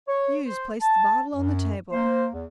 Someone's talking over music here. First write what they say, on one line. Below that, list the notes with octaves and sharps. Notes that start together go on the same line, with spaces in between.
Hughes placed the bottle on the table.
C#5
C5
A5
F#2
A#3 C5
E2